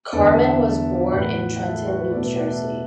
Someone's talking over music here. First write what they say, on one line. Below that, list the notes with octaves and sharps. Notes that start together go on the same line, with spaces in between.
Carman was born in Trenton, New Jersey.
E2 D3 B3 A4 D5
E5 A5
E5 A5
E5 A5
A2 E3 B3 F#5 B5
F#5
E5 A5
E4 A4
F#4 B4
F#4 B4
B2 A3 A4 D5
B4 E5
D5 F#5
E5 A5